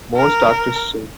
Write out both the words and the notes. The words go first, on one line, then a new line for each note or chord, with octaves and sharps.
Most are Christians.
A#4